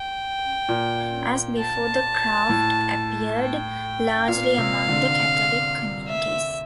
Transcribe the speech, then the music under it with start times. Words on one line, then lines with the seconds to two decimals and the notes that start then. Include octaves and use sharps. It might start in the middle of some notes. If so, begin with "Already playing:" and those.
As before, the craft appeared largely among the Catholic communities.
Already playing: G5
0.69 A#2
1.59 A5
2.49 A2
3.39 G5
4.28 A#2 F5
4.58 C3
4.88 D3
6.08 E5